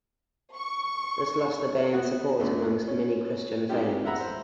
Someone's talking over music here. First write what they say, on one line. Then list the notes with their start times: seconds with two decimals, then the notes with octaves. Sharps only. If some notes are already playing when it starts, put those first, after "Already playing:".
This lost the band support amongst many Christian fans.
0.55 C#6
1.93 B3 F#4
2.39 F#2 C#3 A3 B3 D4
2.88 C#4
3.69 G#3 C4 D#4 F4 G4
4.05 E5 F#5 A#5 B5 E6
4.20 C5